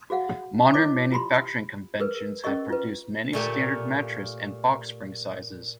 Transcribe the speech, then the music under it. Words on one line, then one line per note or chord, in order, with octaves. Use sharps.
Modern manufacturing conventions have produced many standard mattress and box spring sizes.
F#4 G#4 F5 F#5
E4 C#5 D#5 G#5 D6
F4 G4 B5 C6
G#4 A#4 B4
C#4 G#4 A#4 D#5 C#6
F4 B4
A#2 A3 A#3 G4